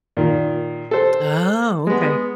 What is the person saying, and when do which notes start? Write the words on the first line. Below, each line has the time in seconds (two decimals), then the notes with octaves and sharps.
Oh, okay.
0.17 A#2 D#3
0.91 A4 C5
1.87 G#3 B3